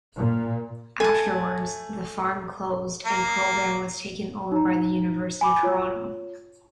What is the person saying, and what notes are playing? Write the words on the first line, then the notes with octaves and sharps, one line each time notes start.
Afterwards, the farm closed and program was taken over by the University of Toronto.
A#2
A3 A4 G#5 A5
A#3
D#4 A#5
G#5 B5 D6
F4 C#5